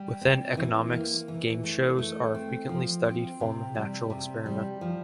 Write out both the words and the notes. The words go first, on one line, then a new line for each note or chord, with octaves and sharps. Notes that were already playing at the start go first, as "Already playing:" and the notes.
Within economics, game shows are a frequently studied form of natural experiment.
Already playing: G3
C4
E3
A#3
E3
A3
A3
C4
F3
C4
C3
G3
C3
G3
F3